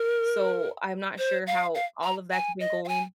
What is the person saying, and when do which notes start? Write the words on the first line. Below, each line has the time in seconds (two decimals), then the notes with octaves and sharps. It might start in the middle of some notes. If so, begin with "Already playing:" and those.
so I'm not sure how all of that's been going.
Already playing: A#4
1.18 C5
1.47 F5
1.75 F5
2.03 A#5
2.32 G#5
2.60 D#5
2.85 F5
2.88 G#5